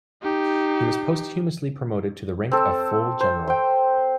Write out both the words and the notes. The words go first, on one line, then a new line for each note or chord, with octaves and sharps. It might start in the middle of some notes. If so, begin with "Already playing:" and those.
He was posthumously promoted to the rank of full general.
D#4 G4
C4 A4
C5
C5 G5